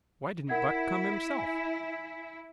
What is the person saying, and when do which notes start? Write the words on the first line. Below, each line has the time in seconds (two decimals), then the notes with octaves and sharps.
"Why didn't Buck come himself?"
0.49 E4 A#4 F#5 G#6
1.38 G#5